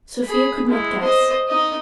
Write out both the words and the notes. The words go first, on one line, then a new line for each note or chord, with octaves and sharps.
Sofia could not guess....
G#4 B5
G#3 E4
C5 D#5
D#4 D#5